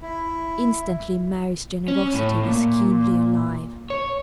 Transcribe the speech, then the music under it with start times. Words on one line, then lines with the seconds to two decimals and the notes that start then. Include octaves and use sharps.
Instantly Mary's generosity was keenly alive.
0.01 E4
1.88 C#4
2.14 A2
2.44 A#2
3.90 C#5